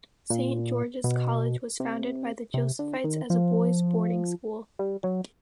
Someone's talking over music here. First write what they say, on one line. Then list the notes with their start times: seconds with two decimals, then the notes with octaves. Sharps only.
Saint George's College was founded by the Josephites as a boys' boarding school.
0.30 A#2
1.04 B2
1.80 C3
2.54 C3
2.79 D3
3.04 D#3
3.30 F3
4.79 G3
5.04 F#3